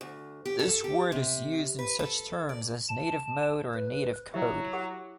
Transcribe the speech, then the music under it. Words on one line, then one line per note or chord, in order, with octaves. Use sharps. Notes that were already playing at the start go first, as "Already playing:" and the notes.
This word is used in such terms as native mode or native code.
D2
G4
A4
G4
C3
B4
A4
D5
A5
B4
F#3 E4 G4 E5
G4 F#5 D6